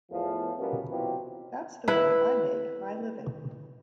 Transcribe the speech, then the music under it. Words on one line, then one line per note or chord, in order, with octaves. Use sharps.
That's the way I make my living.
E2 A2 F3
B2 G3 A#3 B3 C#4
B2 E3 F#3 C4 F4 G4
E4 B4